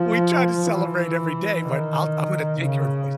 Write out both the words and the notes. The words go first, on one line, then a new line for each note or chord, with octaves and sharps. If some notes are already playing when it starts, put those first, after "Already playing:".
we try to celebrate every day, but I'll I'm gonna take your advice.
Already playing: F3
E3
D#3
C#3